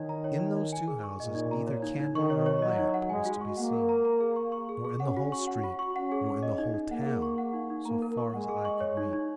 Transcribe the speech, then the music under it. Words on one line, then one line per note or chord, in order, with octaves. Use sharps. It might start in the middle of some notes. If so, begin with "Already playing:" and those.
In those two houses neither candle nor lamp was to be seen; nor in the whole street; nor in the whole town, so far as eye could reach.
Already playing: D#3 D#4 C#5
A#5
C#5
D#4
D#4
G#5
G#4
C#6
A#2 D#5
D#4
A#5
C#5
D#4
D#4
D#3 C#6
C#5
C#5
F#3 D#5
D#4
F#5
G#3 G#5
F#4
C#6
A#3 F#5
A#4
A#5
A#5
G#4
C#6
C#6
G#4
G#4
C#4 F#5
F#4
C#6
F#5
F#4
C#6
C#4 F#5
G#4
G#4
D#5
D#4
D#4
A#3 F#5
G#4
C#6
F#5
D#4
D#4
A#3 A#5
A#4
C#6
G#3 F#5
G#4
C#6
C#5
D#4
D#4